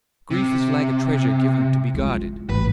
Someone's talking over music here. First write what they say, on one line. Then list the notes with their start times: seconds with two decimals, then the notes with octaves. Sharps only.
Grief is like a treasure given to be guarded.
0.31 C3
1.94 G#3 F4
2.50 A1 B4